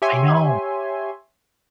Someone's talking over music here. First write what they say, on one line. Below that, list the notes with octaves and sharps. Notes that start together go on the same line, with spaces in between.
I know.
G4 C#5 E5 G#5 C6